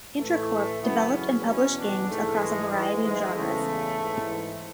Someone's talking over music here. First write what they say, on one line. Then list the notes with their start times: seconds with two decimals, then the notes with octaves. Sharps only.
IntraCorp developed and published games across a variety of genres.
0.18 A2 E3 A3
0.82 F#2 C#3 E3 B3
1.13 C#4
1.44 E2 B2 C#4
1.77 D4
2.08 G#2 E3 A3
2.40 G#3
2.71 G#2 E3 G#3
3.03 G#3
3.34 E2 C#3 E3 A3
3.97 G#2 E3